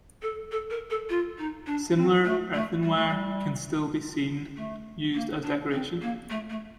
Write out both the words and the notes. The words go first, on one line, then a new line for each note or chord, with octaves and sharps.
Similar earthenware can still be seen used as decorations.
A4
A4
A#4
A4
F4
D#4
D4
C4
A3
A3
G3
A3
G3
A3
A#3
D4
C4
A#3
A3
A3